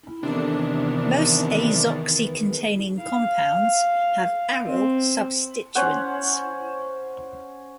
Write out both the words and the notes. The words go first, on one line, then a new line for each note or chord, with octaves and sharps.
Most azoxy-containing compounds have aryl substituents.
E2 C3 D#3 D4
F5
C4
C#4 C5 C#5 F#5